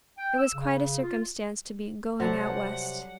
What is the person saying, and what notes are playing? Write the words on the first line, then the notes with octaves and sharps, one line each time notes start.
It was quite a circumstance to be "going out West."
G5
E6
C#3
F4
C3 F#3 G3 A4 F#5